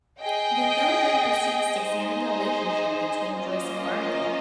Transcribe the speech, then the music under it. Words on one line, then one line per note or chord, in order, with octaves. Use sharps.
The film then proceeds to examine the relationship between Joyce and Barnacle.
G#4 D#5 G5
D#4 G#4 C5 D#5
A#3 C#4 F4 C5 D#5